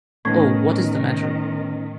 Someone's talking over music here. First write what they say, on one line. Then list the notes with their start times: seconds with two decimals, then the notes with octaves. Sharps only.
Oh, what is the matter?
0.25 A2 D#3 A3 B3 C#4 B4 G#6